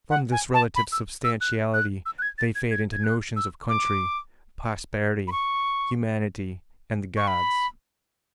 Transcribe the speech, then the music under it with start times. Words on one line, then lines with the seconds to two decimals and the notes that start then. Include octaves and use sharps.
From this relative substantiality they fade into notions of country, posterity, humanity, and the gods.
0.10 F#5
0.32 G#5
0.54 A5
0.76 B5
0.92 E6
1.24 E6
1.41 F#6
1.74 F#6
2.06 E6
2.19 F#6
2.22 G#6
2.38 A6
2.55 G#6
2.71 G#6
2.93 G#6
3.04 F#6
3.36 E6
3.69 D6
5.27 B5
5.32 C#6
7.17 C#6
7.28 B5